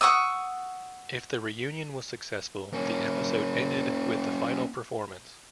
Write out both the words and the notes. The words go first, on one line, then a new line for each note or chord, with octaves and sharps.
If the reunion was successful, the episode ended with the final performance.
F#5 C#6 D#6 E6
A#3 C#4